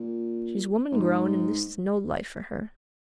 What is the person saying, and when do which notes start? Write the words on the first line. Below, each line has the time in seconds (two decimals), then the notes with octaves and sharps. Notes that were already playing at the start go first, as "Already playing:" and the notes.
She's woman grown and this is no life for her.
Already playing: A#2
0.92 G#2